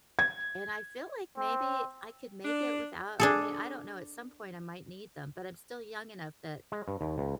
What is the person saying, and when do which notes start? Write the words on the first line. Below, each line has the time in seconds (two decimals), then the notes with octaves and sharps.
and I feel like maybe I could make it without I mean, I don't know, at some point, I might need them, but I'm still young enough that
0.19 G#6
1.37 C4
2.44 D4
3.20 D4 G#4 A4
6.72 G#3
6.88 G2
7.01 D#2
7.18 C#2